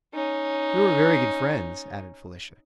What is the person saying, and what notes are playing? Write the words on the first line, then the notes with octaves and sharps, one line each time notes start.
"We were very good friends," added Felicia.
C#4 D#4